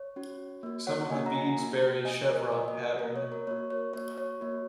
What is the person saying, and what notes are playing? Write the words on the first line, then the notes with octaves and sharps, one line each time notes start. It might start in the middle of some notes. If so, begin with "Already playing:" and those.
Some of the beads bear a chevron pattern.
Already playing: C#5
C#4 F#4
A#3 F#4
C#5 F#5
A#3 F#4 D#5 G#5
F#5 A#5
A#3 F#4
A#3 F#4 D#5 G#5
A#4 D#5
A#3 F#4 A#4 D#5
A#4 D#5
A#4
A#3 F#4 A#4
C#5
A#4
A#3 F#4 C#5
C#5
A#3 F#4 C#5
C#5
A#3 F#4